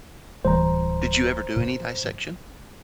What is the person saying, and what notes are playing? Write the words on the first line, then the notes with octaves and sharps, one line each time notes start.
Did you ever do any dissection?
D1 E3 G3 C5 A#5
A#2